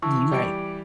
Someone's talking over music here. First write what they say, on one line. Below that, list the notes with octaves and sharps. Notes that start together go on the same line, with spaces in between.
You right.
E3 A5 C#6 E6
E3 G3 G4 D6 D7